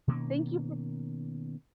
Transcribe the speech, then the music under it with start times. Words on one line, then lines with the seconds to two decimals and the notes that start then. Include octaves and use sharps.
Thank you fo
0.08 B2 D#3 A#3 C#4